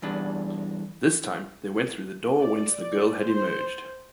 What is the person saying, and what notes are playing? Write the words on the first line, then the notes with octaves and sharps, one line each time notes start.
This time they went through the door whence the girl had emerged.
E2 G2 D4
D5
C5